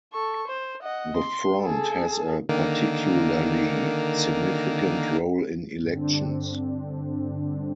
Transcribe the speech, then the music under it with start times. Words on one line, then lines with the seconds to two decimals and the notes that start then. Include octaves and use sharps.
The Front has a particularly significant role in elections.
0.13 A4 C#6
0.47 C5
0.83 D#5 F#5
1.17 C6
1.61 G#4 A4
2.49 D3 D#3 A#3
5.83 G2 D3 C4 D4